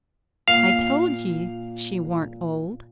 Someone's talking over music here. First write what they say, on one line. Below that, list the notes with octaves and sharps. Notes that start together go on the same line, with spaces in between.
"I told ye she wa'n't--old."
A#2 F5